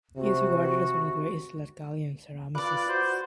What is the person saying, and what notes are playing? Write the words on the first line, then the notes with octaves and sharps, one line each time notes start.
He is regarded as one of the greatest Latgalian ceramicists.
C3 F#4
F4 B4 D5 D6 F#6
F#4 C5